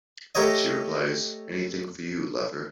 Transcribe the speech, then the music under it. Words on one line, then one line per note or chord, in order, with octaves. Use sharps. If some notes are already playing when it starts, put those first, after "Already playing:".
She replies "Anything for you, lover".
A3 G4 A#4 C#5 D#5